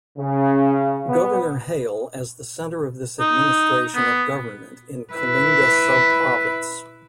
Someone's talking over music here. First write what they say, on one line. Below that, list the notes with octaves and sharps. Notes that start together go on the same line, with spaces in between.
Governor Hale as the center of this Administration of government in Kalinga sub-province.
C#3
B3
D#4
B3
E4 B4